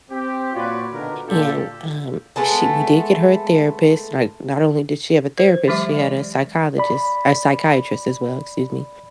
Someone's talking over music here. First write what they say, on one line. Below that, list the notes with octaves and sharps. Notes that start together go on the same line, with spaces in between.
and, um, she we did get her a therapist, like, not only did she have a therapist, she had a psychologist a psychiatrist as well, excuse me.
C4 G4
A#2 F4 F#4 B4 C#5 D5
B2 D3 D#3 A#4
A#2 D3 F4 G4 A4
G#3 A3 B3 A5
C5
E3 F#3 G#3 G4 E5
D5
D5 B5